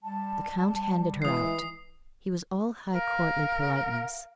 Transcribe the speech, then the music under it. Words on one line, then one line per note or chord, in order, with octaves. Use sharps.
The Count handed her out; he was all high courtly politeness.
G3 A5
E3 G#3 D#6 C7
A#4 F5